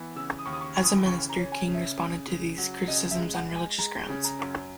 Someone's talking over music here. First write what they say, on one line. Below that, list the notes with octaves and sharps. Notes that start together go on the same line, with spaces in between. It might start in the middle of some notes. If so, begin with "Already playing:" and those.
As a minister, King responded to these criticisms on religious grounds.
Already playing: E3 B3
C#3 E6
D#6
D#2 C#6
D#6
C#6
E3 C#6
D#6
C#3 C#6
A#5
C#4
G#5
C#3
E5
C#3
C#3
F#3
C#3 D#5
E5
G#3
F#5
G#3
G#5
G#3 A#5
C#3
A#5
F#2